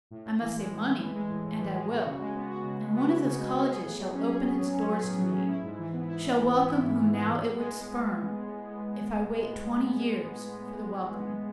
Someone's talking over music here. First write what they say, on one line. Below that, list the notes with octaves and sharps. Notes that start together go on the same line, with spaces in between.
I must save money, and I will; and one of those colleges shall open its doors to me--shall welcome whom now it would spurn, if I wait twenty years for the welcome.
A2
A2
E3
G#3
A2
A2
E3
G#3
A2
A2
E3
G#3
F#4
C#3
G#3
B3
F#4
C#3
G#3
B3
F#4
C#3
G#3
B3
G#4
A2
F#3
C#4
G#4
A2
F#3
C#4
G#4
A2
F#3
C#4
E4
G#2
E3
B3
E4
G#2
E3
B3
E4
G#2
E3
B3
A2
A2
G#3